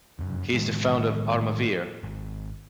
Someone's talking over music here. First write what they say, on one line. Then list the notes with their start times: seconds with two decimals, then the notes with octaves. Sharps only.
He is the founder of Armavir.
0.19 F1 F#2
0.54 A2 D#3 F3 G#3
2.03 G#1